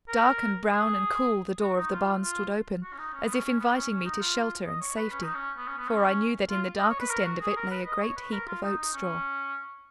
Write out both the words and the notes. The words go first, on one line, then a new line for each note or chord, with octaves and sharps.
Dark and brown and cool the door of the barn stood open, as if inviting me to shelter and safety; for I knew that in the darkest end of it lay a great heap of oat-straw.
A#4
G#4
F#4
D#4
F4
F4
F#4
C#4
D#4
C#4
B3
C#4
C#4
B3
C#4
C#4
D#4
F4
D#5
C#5
B4
C#4
D#4
C#4
B3
C#4
B3
C#4
F4
D#5
C#5
B4
A#4
F#4
G#4
A#4
B4
D#5
C#5
B4
A#4
F4
D#4
D#4
C#4